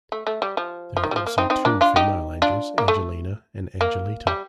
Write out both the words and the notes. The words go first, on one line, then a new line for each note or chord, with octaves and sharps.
There are also two female angels Angelina and Angelita.
A3
A3
G3
F3
F3
D#3
G3
F3
A#3
C4 D#4
C4 D#4
A#3 D4
D4 F4
D#4 G4
D4 F4
A#3
A3
A#3
G3